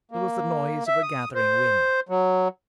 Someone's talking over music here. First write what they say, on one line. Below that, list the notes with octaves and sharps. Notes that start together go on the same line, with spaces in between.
There was the noise of a gathering wind.
A#3
E5
D#6
C5
F#3